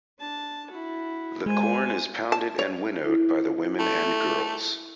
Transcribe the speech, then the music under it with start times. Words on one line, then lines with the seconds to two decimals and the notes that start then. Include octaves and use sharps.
The corn is pounded and winnowed by the women and girls.
0.20 D4 A5
0.71 E4 F#4
1.46 G#3 C5 G#5
2.32 A5
2.59 C#5
3.05 E4
3.79 A3